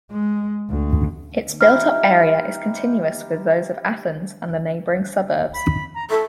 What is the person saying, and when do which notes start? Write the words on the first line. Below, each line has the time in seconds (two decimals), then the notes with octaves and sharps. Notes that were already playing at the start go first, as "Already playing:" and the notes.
Its built-up area is continuous with those of Athens and the neighbouring suburbs.
0.11 G#3
0.70 D2
1.61 D#4 E4 G4 F6
5.53 B5
5.94 A#5
6.10 E4 A4